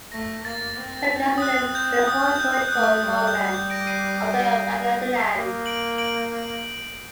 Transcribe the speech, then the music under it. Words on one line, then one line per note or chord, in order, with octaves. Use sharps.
Pangasinan is the historical homeland of the Pangasinans.
A3 A#6
A#3 A6
C4
D#6
F#6
G6
D#6
G6
G6
F#6
D#6
F#6
A3 D#6
D#6
G3
D#6
G6
G3 F#6
G6
A#6 D7
C7 D#7
A#3
D7 F#7
D7 F#7